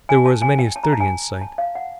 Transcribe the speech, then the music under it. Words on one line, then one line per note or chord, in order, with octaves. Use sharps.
There were as many as thirty in sight.
G#5
A5
G#5
G5
A5
A#5
A5
G#5
A5
F5
F#5